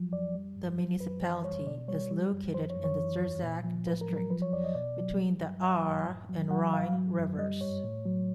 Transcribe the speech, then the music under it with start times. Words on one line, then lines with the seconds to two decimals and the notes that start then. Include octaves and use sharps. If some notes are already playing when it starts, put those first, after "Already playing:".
The municipality is located in the Zurzach district, between the Aare and Rhine rivers.
Already playing: F3 F#3
0.12 F2 D5
0.35 G3
0.56 G2
0.78 F#3 C5
1.00 F#2 B4
1.22 E3 C5
1.44 G3 C#5
1.66 B2 D5
1.88 G3 C#5
2.11 G3
2.32 F#2
2.54 F3 C5
2.70 C#5
2.76 F#2
2.84 C#5
2.99 E3
3.21 E2
3.43 A#2
3.65 F3
3.87 A2 B4
4.01 A#4
4.09 F#3
4.16 A#4
4.30 F3 B4
4.42 C#5
4.53 F2 D5
4.64 D#5
4.75 B2 D5
4.97 F#3
5.19 G3
5.41 G2
5.62 F#3 E5
5.85 F#2
6.07 A2
6.29 F#3
6.51 F#3 F#5
6.73 G#2 F5
6.94 F#3
7.17 F#2
7.39 G3 D#5
7.61 G2 C#5
7.84 A2
8.06 F#3